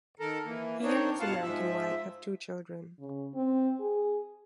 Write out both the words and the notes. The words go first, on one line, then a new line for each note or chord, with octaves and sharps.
He and his American wife have two children.
D#3 A4 A#4
E3 A#3
D#3 C4 D4 D#4 C#5
G2 B2 F4 F5 F#5 A5
G#2 F3 E5
C#3
C4
G#4